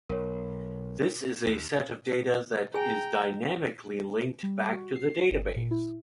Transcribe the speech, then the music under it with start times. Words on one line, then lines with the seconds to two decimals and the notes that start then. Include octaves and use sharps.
This is a set of data that is dynamically linked back to the database.
0.09 B1 A#4 C#5
1.47 D#2
2.74 G#4 G5 G#5 A#5
4.43 G3
4.72 F#4
4.95 C7
5.31 G1
5.56 A#2
5.71 E4